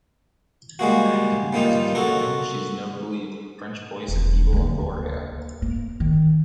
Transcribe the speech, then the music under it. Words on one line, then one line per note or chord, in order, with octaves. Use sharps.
Actively present in dubbing, she’s notably the French voice of Eva Longoria.
G3 G#3 A#3 F#4
G3 A#3 D#4 F4
F#4 A4 A#4
E1
D2 A#3
A#3
D#3